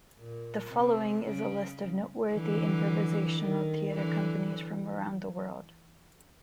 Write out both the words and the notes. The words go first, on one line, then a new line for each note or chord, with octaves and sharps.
The following is a list of noteworthy improvisational theatre companies from around the world.
A#2
C3
C#3
D3 E3
D#3
D3 E3